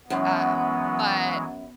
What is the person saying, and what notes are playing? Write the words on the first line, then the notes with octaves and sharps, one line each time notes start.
um, but
F#2 E3 F#3 G#3 B3